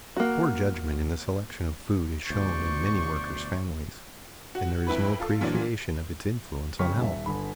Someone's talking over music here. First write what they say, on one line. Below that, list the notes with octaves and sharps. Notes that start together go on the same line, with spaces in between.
Poor judgment in the selection of food is shown in many workers' families, and there is no appreciation of its influence on health.
A#3 F#4
D2 B2 C5 D5 C#6
F#4
F2 E4 B4 B5
F4 A4
A#2 E3 F#3 D4
F#2 C#3 G5 C#6 F6 B6
D#1 E5
G1 B5